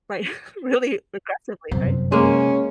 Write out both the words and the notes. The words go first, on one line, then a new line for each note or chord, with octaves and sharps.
right, really aggressively, right?
G1 F#2 C3
G#3 A#3 C#4